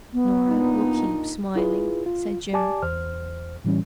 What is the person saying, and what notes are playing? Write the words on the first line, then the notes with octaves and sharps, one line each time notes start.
"Norah will keep smiling," said Jim.
B3
A#2 D4 D#4
E4 F4 G#4 B4
F4
G4 D5 G#5 A5 D6
E2 C5 F6
A2 E3 G3 C#4